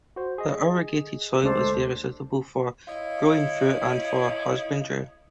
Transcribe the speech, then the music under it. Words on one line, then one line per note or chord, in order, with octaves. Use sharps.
The irrigated soil is very suitable for growing fruit and for husbandry.
F#4 C5
G#4 D#5
D2 G#3 A3 D4 A4 C5
E4 C#5 D#5 F5